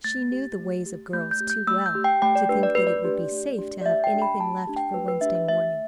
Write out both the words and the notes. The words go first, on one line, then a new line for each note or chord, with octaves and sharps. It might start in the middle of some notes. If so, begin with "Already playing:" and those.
She knew the ways of girls too well to think that it would be safe to have anything left for Wednesday morning.
A3 A6
G4
A3
G4
A3 G6
G6
G4
G6
A3 E6
G6
G4
G5
A3 G5
D5
D4 G4 B4
D5
A3 B4
D5
D4 G4
A3
D4 G4
D5
A3 E5
G5
D4 G4
B5
A3 A5
A5
D4 G4
G5
A3 B4
B4
D4 G4 E5
E5
A3 E5